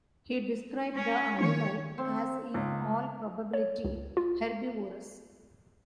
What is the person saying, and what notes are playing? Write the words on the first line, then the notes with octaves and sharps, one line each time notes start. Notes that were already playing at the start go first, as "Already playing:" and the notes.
He described the animal as in all probability, herbivorous.
C#4
D#3 C#5
C4
C#2
C#5
C#2
F4